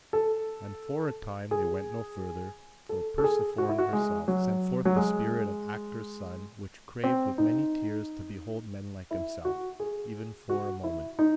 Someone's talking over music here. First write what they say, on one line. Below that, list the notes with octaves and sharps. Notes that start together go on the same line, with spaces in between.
And for a time they went no further, for Persephone herself sent forth the spirit of Actor's son which craved with many tears to behold men like himself, even for a moment.
A4
G#4
A4
A4
G#4
F#4
E4
F#4
G#3
F#3
F#3
G#3
C4
D#4
E4
F#4
G#4
F#4
E4
D#4